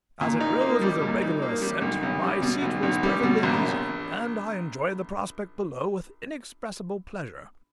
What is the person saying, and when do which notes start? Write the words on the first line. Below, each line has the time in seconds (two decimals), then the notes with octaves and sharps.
As it rose with a regular ascent, my seat was perfectly easy, and I enjoyed the prospect below with inexpressible pleasure.
0.21 A#2
0.41 D#4
0.61 A#3
0.82 G3
1.02 A#2
1.22 D#4
1.42 A#3
1.62 G3
1.81 B1
2.03 B1
2.23 G3
2.42 B2
2.62 B1
2.82 B1
3.03 G3
3.23 B2
3.43 A#1